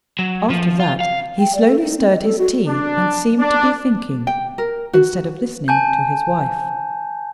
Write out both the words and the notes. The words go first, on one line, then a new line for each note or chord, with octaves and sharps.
After that, he slowly stirred his tea, and seemed to be thinking, instead of listening to his wife.
F#3
F3
F4
F5
G5
D5
A4
D#4
C4
D#5
A4
F#4
D4
D4
G5
A#4
F#4
G#5 A5 G6